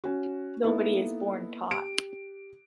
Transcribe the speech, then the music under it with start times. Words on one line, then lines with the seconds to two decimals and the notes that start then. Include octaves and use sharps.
Nobody is born taught.
0.04 C#4 F#4
0.63 A#3 B3 D#4 E4 A4 B4
1.71 G4 D7